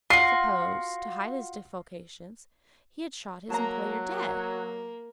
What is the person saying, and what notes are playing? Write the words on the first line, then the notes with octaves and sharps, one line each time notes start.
Suppose, to hide his defalcations, he had shot his employer dead?
F4 F#4 C7
F#3 A#3 A5 A#5
A#3